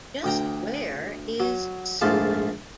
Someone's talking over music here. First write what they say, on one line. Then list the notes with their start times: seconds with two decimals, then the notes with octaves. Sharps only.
Just where is Siouxland?
0.24 D2 G5 A#5
1.40 F#3
2.01 A#1 G#2 A3 F4 A5